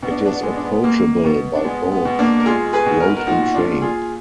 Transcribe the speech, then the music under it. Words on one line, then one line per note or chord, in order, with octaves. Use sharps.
It is approachable by both road and train.
B2 B3
D4
B3
D4
B3
G#3 D4
B3
D4
B3
B2 A#3
B2 B3
D4
G#3 B3
B3
B2
A#3 D4
A#4
G#3 F4 G#4
G#4 B4
B2
A#4
B4
F#4 A#4
A#2 D#4 F#4
F#4
D4 F4
A#2
F4 G#4